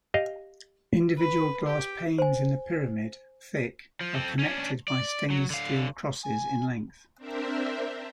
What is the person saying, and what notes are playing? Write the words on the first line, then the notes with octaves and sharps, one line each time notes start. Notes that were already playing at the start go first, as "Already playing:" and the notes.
Individual glass panes in the pyramid, thick, are connected by stainless-steel crosses in length.
G4 D#5 F5
B4
G4
C5 G#5
F3
C4 A4
C#4 D4
D5
F#3
D3 F5
G#5
C4 D4 A#4 C5 E5